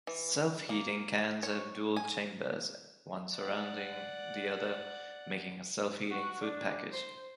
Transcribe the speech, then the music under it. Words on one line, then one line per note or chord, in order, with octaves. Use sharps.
Self-heating cans have dual chambers, one surrounding the other, making a self-heating food package.
E3
A#3
C#5
G#5
D5 F#5
F#4
D4
C5